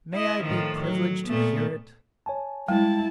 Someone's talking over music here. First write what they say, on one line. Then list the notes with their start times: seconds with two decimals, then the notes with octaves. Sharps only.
May I be privileged to hear it?
0.13 E4 D#5
0.43 A2 D#3 F3
0.82 F#3
1.27 A#2 A3 B3
2.26 C#5 G#5 A5
2.68 G3 G#3 E4 G5 A5